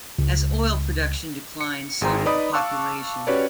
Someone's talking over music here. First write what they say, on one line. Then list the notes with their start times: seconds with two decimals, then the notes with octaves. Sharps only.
As oil production declined, so did the population.
0.19 C#2
1.61 C#7
2.01 G#1 G#4 G5 A#5 C6
2.26 D#4 B4 D5 D#5 B5 D#6
2.53 F5 A5 C#6 D6 E6 F#6
3.27 C#4 F#4 G4 B4 C#5 D5